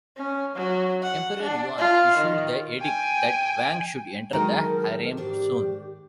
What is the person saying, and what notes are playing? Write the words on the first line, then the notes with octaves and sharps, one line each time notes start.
Emperor Yuan issued the edict that Wang should enter the harem soon.
C#4
F#3
F#5
D4
F4
D#3
G5 G#5
D#3 F#3 G#3 A4 A#4
G#2 D4 G4 D5